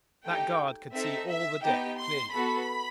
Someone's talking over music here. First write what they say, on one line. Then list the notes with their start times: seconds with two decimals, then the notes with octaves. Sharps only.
That guard could see all the deck clearly.
0.24 A3 D#4 G4 G5
0.94 C4 D#4 A4 E5
1.28 E5
1.63 B3 D#4 G4 G5
1.98 C6
2.32 B3 F#4 A4 B5